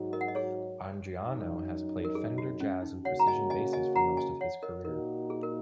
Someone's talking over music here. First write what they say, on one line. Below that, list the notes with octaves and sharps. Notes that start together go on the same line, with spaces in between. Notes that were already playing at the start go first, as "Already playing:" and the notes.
Andriano has played Fender Jazz and Precision Basses for most of his career.
Already playing: G#2 F#3 D#4 F#4
A#4 D#5
F#5
D#5
G#4 C#5
F#2 F#3 D#4
A#4
G#4
F#4
C#4
D#4
C#3 A#3 C#4 F#4 C#5 F#5
A#5
D#5 G#5
D#5 G#5
D#5 G#5
F#5 A#5
D#5 G#5
C#5 F#5
A#4 D#5
A#2 A#3 D#4 F#4 A#4
G#4
A#4